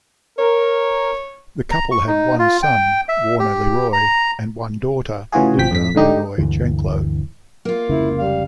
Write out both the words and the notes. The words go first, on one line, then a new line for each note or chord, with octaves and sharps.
The couple had one son, Warner LeRoy and one daughter, Linda LeRoy Janklow.
A#4 C#5
A#5
C#6
D#4
F4
G5
E5
G4
A#5
A2 C#3 E3 F4 F#4 G#4
G#1 F3 G5 B6
F2 B6
G#2 D3 D#4 G4
D2 G2 D3 E3
A#3 F4
F1 C#2 C#3 E4
G3 F5